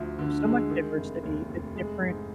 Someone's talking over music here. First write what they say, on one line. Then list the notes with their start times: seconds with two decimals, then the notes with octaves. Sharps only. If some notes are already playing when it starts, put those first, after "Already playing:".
there's so much diversity that different
Already playing: D2 F3
0.19 D3
0.44 G#3
0.70 D#3
0.97 F1
1.23 D#2
1.49 F1
1.76 G#3
2.02 G#2